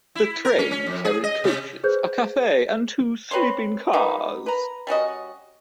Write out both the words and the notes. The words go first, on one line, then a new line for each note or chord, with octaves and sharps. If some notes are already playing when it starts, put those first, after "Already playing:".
The train carried coaches, a cafe, and two sleeping cars.
E4
A#4
C#4
C#4
F2
G#4
D#5
C3
G#4 B4 C5 G6
C4 B4 C#5 C6
D#3 B3 D#4
B4 A#5
G3 C#4 F#4 D#5